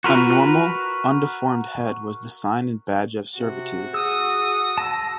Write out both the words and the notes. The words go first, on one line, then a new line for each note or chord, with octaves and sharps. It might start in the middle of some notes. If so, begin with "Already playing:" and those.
A normal, undeformed head was the sign and badge of servitude.
F4 F#4 A#4 B4 C6
C3 F#4
G#4 D#6 E6
A5 E6 A#6